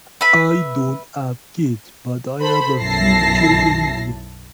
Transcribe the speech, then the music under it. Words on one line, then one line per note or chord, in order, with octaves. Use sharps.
I don't have kids, but I have a few children's books.
B4 E5 B5
A4 C5 B5
B1 F#2 E4 A5 A#6 C7